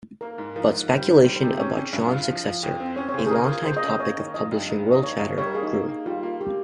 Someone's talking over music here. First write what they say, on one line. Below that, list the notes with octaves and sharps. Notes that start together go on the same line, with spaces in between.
But speculation about Shawn's successor, a longtime topic of publishing-world chatter, grew.
A#3 A#4
G#2
F3 A#4
G#2
G3 C5
D#3
G3 C5
C5
C3
G#4
C#4 C#5
C#4
G2
F4
F3
F3
F2
C4
C#4 C#5
C#5
C#3
C5
G#4
C#3 A#4
F4
A#3 C5
D#5
C#4
D#5
A#3 C#5
D#3
F3 D#5
G2
D#4
F3
D#5
A#3 C#5
G2 D#5
G3 C#5
A#4
A#3 G#4
D#4
A#3
A#3
G3 F4
A#3
G4